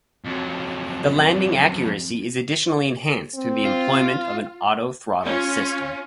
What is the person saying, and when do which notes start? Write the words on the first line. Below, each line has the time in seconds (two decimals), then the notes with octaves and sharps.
The landing accuracy is additionally enhanced through the employment of an autothrottle system.
0.25 F2 F#3
3.35 C4
3.65 F4
5.24 C#4 F4